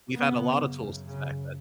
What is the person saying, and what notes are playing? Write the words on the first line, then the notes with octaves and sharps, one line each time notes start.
we've had a lot of tools since back then."
F#2 C#3 B3
C#3